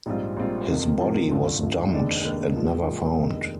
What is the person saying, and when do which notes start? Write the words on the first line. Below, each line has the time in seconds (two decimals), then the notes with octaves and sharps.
His body was dumped and never found.
0.06 A#1 G#2 G3 C4 F4
0.37 A#1 G#2 G3 C4 F4
0.69 F2 C3 F3 A#3 F4
1.00 F2 C3 F3 A#3 F4
1.31 G#1 G2 D3 F3
1.62 G#1 G2 D3 F3
1.93 F1 D#2 D#3 G#3 D4
2.24 F1 D#2 D#3 G#3 D4
2.55 A#2 F3 G#3
2.87 A#2 F3 G#3
3.18 F1 D#2 D#3 G#3 D4